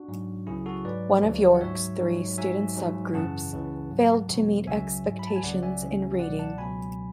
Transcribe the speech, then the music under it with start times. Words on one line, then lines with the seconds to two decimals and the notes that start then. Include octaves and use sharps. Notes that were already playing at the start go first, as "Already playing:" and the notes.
One of York's three student subgroups failed to meet expectations in reading.
Already playing: D4 F#4
0.08 G#2 F#3
0.47 C#2 C#3 F#3 E4 G#4
0.66 F#4 A4
0.85 G#2 F#3 B4 D5
1.23 D2 D3 F#3
1.55 F#5
1.61 G#2 F#3 C#5 E5
2.00 G#2 F#3
2.38 G#2 F#3 E5 G#5
2.76 G#2 F#3
3.14 F#2 C#3 E3 F#5 A5
3.52 C#2 C#3 E3
3.91 G#2 F#3
4.29 E2 B2 F#3
4.67 C#2 C#3 F#3 E5 G#5
5.05 G#2 F#3
5.19 B5
5.27 A5
5.36 G#5
5.43 C#2 C#3 F#3 D5 F#5
5.63 E5 G#5
5.82 C#2 C#3 E3
6.20 C#2 B2 F#3 D5 F#5
6.39 F#5 A5
6.58 C#2 B2 F#3 G#5 B5